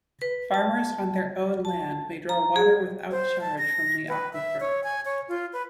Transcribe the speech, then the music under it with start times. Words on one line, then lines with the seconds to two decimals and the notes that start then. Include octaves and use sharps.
Farmers on their own land may draw water without charge from the aquifer.
0.22 B4
0.54 A5
1.65 A5
2.29 A#5
2.56 G#4
3.11 C5
3.41 A5
3.58 A#6
4.09 B4
4.33 E5
4.60 C#5
4.84 G#5
5.05 C#5
5.28 F4
5.53 B4